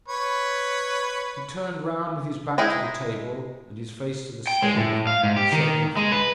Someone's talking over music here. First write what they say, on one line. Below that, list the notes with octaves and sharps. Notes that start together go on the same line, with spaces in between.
He turned round with his back to the table and his face to the stove, and said nothing.
B4 C#5
G#3 D#4 E4 G#4 D#5
G5
G#3
A2
F5
G#2
G4
D#3
G#3
B4